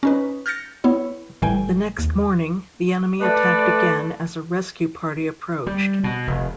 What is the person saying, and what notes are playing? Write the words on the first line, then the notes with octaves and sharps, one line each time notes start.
The next morning, the enemy attacked again as a rescue party approached.
C#4 D#4 B4
F6 G6 A6 A#6 C#7
B3 E4 C#5
G1 A2 E3 G3 G5 G#5
D#2
A3 B4 D5
G3
B2
F1